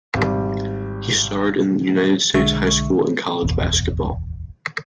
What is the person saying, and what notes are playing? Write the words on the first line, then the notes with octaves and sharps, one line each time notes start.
He starred in United States high school and college basketball.
G#1 G3
B1 D3 G#3 E5 C#6
D1 G#1 E2 B2